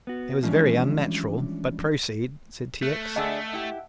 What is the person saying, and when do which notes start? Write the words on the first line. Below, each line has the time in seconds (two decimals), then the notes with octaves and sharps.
"It was very unnatural, but proceed," said T. X.
0.07 B3 F#4
0.43 E3 F3 G3 G#3 C#4 D4
2.82 A3 F#6
3.16 D3 D4 G#4 D#5 E5 F#5 A5
3.53 E4 G4